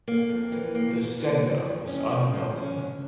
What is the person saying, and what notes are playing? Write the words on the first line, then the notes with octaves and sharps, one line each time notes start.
The sender was unknown.
A#3
F2
E3
A#3
A#3
E3
F2
F2
C#4
D2
F3
C#4
D3